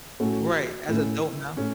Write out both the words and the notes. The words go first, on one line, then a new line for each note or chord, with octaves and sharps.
Right, as a adult now
A2 A3 C#4 F#4
A2 A3 C#4 E4
A2 A3 C#4